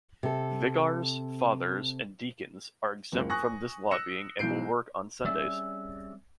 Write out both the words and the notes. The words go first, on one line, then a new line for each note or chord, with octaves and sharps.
Vicars, Fathers, and Deacons are exempt from this lobbying and will work on Sundays.
C3 A4
F#1 C#2
G#5 C#6 D#6 F#6 A#6
E6 F#6 A#6 C#7 E7
B1 E3 G6 C7 D7
G3 C4 C#4 G#4 D5 E5